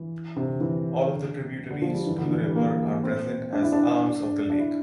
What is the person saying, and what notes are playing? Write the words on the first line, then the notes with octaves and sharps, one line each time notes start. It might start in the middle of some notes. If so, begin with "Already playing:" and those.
All of the tributaries to the river are present as arms of the lake.
Already playing: E3
C3
D3
E3
D3
D3
F3
G3
E3
D3
E3
G3
A#3
C4
D4
E4
D4
D4
E4